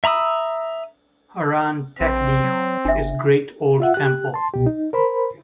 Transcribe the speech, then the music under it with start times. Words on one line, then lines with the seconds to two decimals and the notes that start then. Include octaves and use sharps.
"Haran Tekdi" is great old temple.
0.04 E5 A#5 B5 D#6 E6
2.01 A#1 C4
2.44 F#3
2.85 G1 D4 E5
3.80 F4 E5 F#5
3.94 G4 F#6
4.34 A5 C6
4.54 C2 B2 G4
4.66 D#4
4.93 A#4 C5 B5